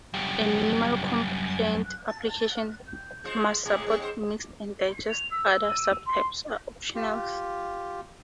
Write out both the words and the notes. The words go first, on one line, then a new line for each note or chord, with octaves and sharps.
A minimally compliant application must support mixed and digest; other subtypes are optional.
F#2 G3
G#3 F4 C5
A2 C#3 G#3
G3 G#3 C#4
G#2 B3 C5
F7
E6
C6
F4 G4